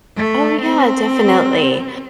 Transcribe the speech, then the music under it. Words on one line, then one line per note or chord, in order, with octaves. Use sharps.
Oh, yeah, definitely.
A3
C4